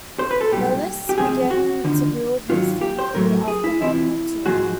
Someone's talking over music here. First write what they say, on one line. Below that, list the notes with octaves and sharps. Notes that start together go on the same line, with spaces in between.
Nalis began to build his film career after World War Two.
C5
B4
A4
B1 A#2 G3 G4
G4
F2 C3 F3 G#3 G#4
F#4
D#2 D3 F3
G#2 D#3 F#3 F4
G4
C5
A2 F#3 A3 A#4
G#4
E4
E2 C3 F3 E4
G#2 F3 G#3 F#4